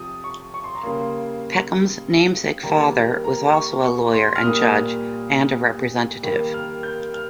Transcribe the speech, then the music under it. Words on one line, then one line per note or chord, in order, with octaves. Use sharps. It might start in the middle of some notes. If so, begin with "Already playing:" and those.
Peckham's namesake father was also a lawyer and judge, and a representative.
Already playing: C3 F3 D#6
C#6
C#6
C6
A#5
C#3 G3 A#3 C6
D#3 G3 A#3 A#5
A#5
C#6
C#6
C6
F6
A#2 G3 A#3 D#6
D#3 G3 A#3
F6
G6
F6